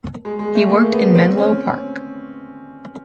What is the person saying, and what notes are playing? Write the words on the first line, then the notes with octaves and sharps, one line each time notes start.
He worked in Menlo Park.
G#3
G#3
A3
A#3
B3
C4
C#4